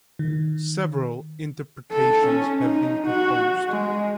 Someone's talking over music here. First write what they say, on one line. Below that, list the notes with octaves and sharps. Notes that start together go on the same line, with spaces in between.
Several interpretations have been proposed.
D#3
A4
C#4
D#4
F#4
G#3